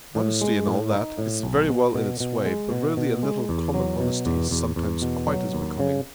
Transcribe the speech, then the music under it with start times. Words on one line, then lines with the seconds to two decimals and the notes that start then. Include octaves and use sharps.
Modesty, and all that, is very well in its way, but really a little common honesty is sometimes quite as becoming.
0.15 A2
0.41 G#3
0.66 A2
0.92 D#4
1.18 A2
1.43 B1
1.69 B2
1.95 B2
2.20 B2
2.46 G#3
2.71 B2
2.97 B2
3.23 G#3
3.49 E2
3.74 F#3
4.00 B2
4.26 E2
4.51 E2
4.76 E2
5.02 B2
5.27 F#3
5.53 D#2
5.80 C#3